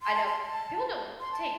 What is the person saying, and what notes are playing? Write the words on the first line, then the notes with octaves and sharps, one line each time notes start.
I know, people don't take
C6
A5
C6
A5
C6
A5